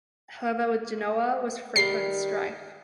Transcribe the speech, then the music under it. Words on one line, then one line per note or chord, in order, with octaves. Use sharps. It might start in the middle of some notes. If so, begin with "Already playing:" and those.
However, with Genoa was frequent strife.
D#3 G3 C7